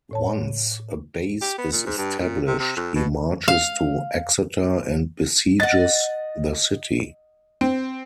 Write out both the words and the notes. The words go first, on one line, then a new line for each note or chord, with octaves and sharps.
Once a base is established, he marches to Exeter and besieges the city.
A2 C#5 A5
G4
B3
A#2
G#2
G2
A#2
C3
C3
F2
B2
F5
D#5 F#5 A6
C4